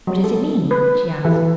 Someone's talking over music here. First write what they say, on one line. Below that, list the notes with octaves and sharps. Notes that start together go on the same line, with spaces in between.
"What does it mean?" she asked.
F#3
A4
B4
E3